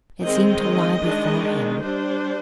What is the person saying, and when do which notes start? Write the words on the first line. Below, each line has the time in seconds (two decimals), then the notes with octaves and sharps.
It seemed to lie before him.
0.22 D#3 G#3 C4 D#5
1.02 D#3 G#3 D4
1.81 G3 D4 C5